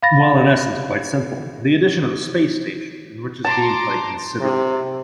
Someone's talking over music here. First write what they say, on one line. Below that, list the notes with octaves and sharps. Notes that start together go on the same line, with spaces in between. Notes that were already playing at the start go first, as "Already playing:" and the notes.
While in essence quite simple, the addition of the space station enriches gameplay considerably.
F5 B5 A6 A#6
A5 A#5 C6 D6
C3